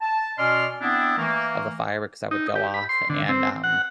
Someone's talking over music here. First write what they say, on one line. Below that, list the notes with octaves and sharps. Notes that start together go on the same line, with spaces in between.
of the fireworks that would go off, and, um
A5
B2 C#4 D5 D#5 C6 F6
B3 C4 D4 E4
E3 A3 A#3
D#4
G4
B5
C6
D3
C4
F#5